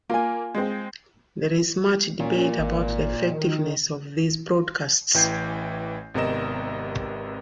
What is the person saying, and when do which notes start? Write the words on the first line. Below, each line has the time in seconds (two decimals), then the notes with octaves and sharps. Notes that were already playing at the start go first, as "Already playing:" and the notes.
There is much debate about the effectiveness of these broadcasts.
0.10 A#3 F4 G#5
0.55 G#3 C4
2.20 A#2 C#4
2.59 G#1
3.30 D#3
5.14 A1 E3 G5 G6 G#6 C7
6.14 G#1 C3 B3 A#4 D#5 E7